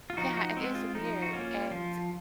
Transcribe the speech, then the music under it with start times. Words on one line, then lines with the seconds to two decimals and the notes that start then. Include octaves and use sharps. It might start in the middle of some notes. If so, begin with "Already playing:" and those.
Yeah, it is weird. And
0.10 F4
0.17 F3 D#4 F#4
0.37 D#4 F#4
0.57 G#3 C4
0.75 F4
0.94 F3 D#4
1.22 F#4
1.33 A#3 C#4 F4
1.71 F3 F4